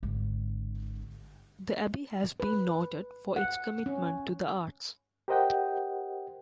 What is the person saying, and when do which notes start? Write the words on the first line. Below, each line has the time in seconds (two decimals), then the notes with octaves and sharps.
The abbey has been noted for its commitment to the arts.
0.03 G#1 D3
2.40 B4
3.36 F#5
3.86 C#4
5.28 G4 A#4 C5 D#5 F#5 G5